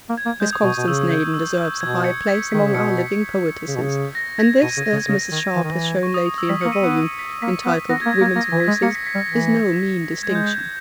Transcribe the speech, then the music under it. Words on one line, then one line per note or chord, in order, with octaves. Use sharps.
Miss Constance Naden deserves a high place among our living poetesses, and this, as Mrs. Sharp has shown lately in her volume, entitled Women's Voices, is no mean distinction.
A#3
G#6
A#3
G#3 G6
D#6
B2 C#6
B2
C#3 E6
G6
E6
G6
B2 G#6
C#7
B6
D#3 B6
C#3
B2 C#7
B6
C#3
B2
C#3
A#6
G#6
B2 D#7
C#3
A#6
C#3
G#6
C#3
D#3
E3
D#3
E3
C#6
D#6
D#6
E6
G3 B6
A#3 C#7
D#7
B3 C#7
B6
A#3 B6
B3
B3 A#6
G#6
A#3
G#6
A#3
G#6
A#3 A#6
E3
B6
G#3
A#3 C#7
B6
B6
G3
A#6
E3
G#3 G#6
G6
G6
G#6